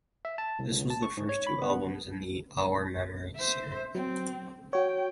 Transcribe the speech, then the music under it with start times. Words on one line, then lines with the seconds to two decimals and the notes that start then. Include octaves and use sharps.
This was the first of two albums in the "Our Memories" series.
0.25 E5
0.38 A5
0.59 C2
0.71 C#2
0.90 A5
1.03 C#6
1.17 G#2
1.29 C#5
1.47 B5
1.62 B3
3.35 C5 E5
3.95 F#3 C4
4.73 F#4 C#5 G5